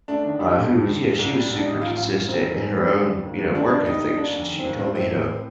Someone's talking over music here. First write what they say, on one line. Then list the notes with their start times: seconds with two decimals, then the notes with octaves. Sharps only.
uh, who's yeah, she was super consistent in her own, you know, work ethic, sh she told me, you know,
0.08 A3 D4
0.24 D#3 D4
0.40 G3 D4
0.56 F2
0.72 F2
0.87 D#3
1.03 A#2
1.19 C2
1.35 G3
1.50 C2
1.56 D4
1.66 A1 D#4
1.82 A1 F4
1.97 A1 F4
2.12 A2
2.28 F1 C4
2.44 D#3
2.60 F1
2.76 G3
2.92 D3
3.07 D3
3.23 D#2
3.38 D#2
3.54 G1 D4
3.70 G1 D4
3.85 G3 D#4
4.01 G1 D#4
4.17 D#2 D4
4.33 F1
4.48 D#3
4.59 C4
4.65 D#2
4.80 A2 C4
4.95 A1 C4
5.11 A2
5.27 A2